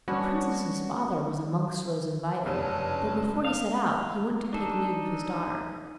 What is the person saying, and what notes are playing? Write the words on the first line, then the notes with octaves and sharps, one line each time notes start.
The princess's father was amongst those invited, but before he set out he went to take leave of his daughter.
G3 B3 C#4 D4 F#4
F1 F#2 C#3 F3 C#4 A5
F5
D4 D#4 A4